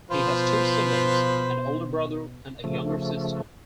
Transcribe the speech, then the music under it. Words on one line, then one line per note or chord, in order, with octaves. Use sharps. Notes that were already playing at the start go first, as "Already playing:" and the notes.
He has two siblings, an older brother and a younger sister.
B2 F3 F4 B4 C5
C#3 F3 A3